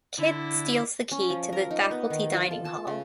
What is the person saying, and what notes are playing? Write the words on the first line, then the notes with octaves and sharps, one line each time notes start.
Kid steals the key to the faculty dining hall.
D3 E4
C#4
F3
A#4
D#4
B3
D#3
F4
A4
A5
C#3